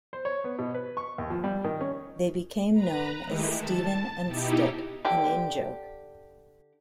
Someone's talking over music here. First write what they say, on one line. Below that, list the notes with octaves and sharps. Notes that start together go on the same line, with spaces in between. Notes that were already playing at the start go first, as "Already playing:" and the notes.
They became known as Stephen and Stitt: an in-joke.
C5
C#5
B3
B2
B4
C#6
D#2
F3
G3
D#3
C#4
B4 A#5
D#3 G#3 A3 E4 G4
A5
B2 D#4 E4 G4
D3 G4